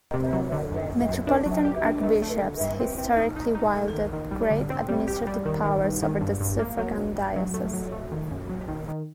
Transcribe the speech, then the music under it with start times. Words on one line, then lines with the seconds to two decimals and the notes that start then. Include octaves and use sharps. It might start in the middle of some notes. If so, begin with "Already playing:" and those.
Metropolitan archbishops historically wielded great administrative powers over the suffragan dioceses.
0.14 C3
0.33 F#3
0.52 D3
0.71 F#2
0.90 F#2
1.09 F#2
1.27 D4
1.46 F#3
1.65 G4
1.85 D4
2.03 A3
2.22 A3
2.42 D3
2.60 G2
2.80 C4
2.98 C4
3.17 D#4
3.36 D#4
3.55 D#4
3.74 A3
3.93 D#3
4.13 D#3
4.31 G3
4.51 D3
4.70 C4
4.89 G3
5.08 G4
5.27 G3
5.45 D#3
5.64 D#3
5.84 G2
6.02 D#3
6.21 G2
6.40 G2
6.59 A#3
6.78 F#3
6.97 G2
7.16 G2
7.36 F#3
7.54 A3
7.73 F#3
7.92 A3
8.12 D#3
8.31 F#2
8.50 F#3
8.68 D#3
8.88 D#3